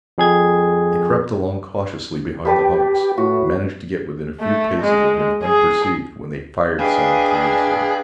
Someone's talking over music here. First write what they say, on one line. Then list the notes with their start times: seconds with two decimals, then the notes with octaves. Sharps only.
They crept along cautiously behind the hummocks, and managed to get within a few paces of him unperceived, when they fired simultaneously.
0.18 F2 G#4 G#6
2.45 G4 B4 A5 B5
3.18 A2 F#4
4.40 A3
4.82 G#3
5.44 G#4
6.79 D4 G#4 B4 D#5 F5 G5